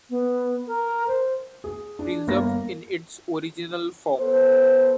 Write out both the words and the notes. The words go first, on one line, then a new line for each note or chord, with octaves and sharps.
Preserved in its original form.
B3
A#4
C5
G#4
D4
G1 A#3 A#6
B3 A4 C5